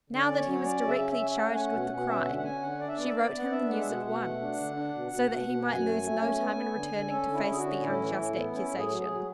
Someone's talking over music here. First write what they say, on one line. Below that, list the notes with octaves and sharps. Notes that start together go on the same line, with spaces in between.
Now that he was directly charged with the crime, she wrote him the news at once, so that he might lose no time in returning to face the unjust accusation.
D3
D5
C#4
C#5
F#3
C#5
C#4 D5
C#3
E5
C#4
E5
C#4
E5
A3 F#5
C#4 G#5
F#5
B2
F#5
B2
F#5
C#4 E5
D3 F#5
F#5
C#4 G#5
D3 F#5
D4 D5
E5
B3 D5
E5
B3 D5
B3 F#5
D4 E5
G#3 F#5
E5
B2 F#5
B2 F#5
A3
D4
D3
D4
B2
B2
B2
B2
F#2 G#5
A3
A3
C#4
B3
B3
D3
D3
C#4 A4
D3
E4
D3
G#4
F#4
C#4
A2 E4
E3
A2
B3
C#4 E4
A2
G#4
F#3
G#4
F#3